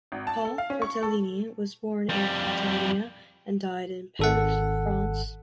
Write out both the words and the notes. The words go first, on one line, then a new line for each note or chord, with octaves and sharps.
Paul Fratellini was born in Catania and died in Perreux, France.
G#1
A5
A4
F5
C#4
C#6
A4
F2 G3
G#1 A4 F#5